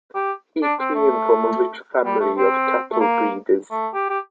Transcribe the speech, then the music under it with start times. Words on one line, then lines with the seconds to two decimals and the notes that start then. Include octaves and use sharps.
He came from a rich family of cattle breeders.
0.15 G4
0.62 D4
0.79 C4
0.95 A3
2.05 G3
2.20 A3
2.37 C4
2.92 A3
3.00 A#3
3.71 A3
3.94 G4
4.09 G4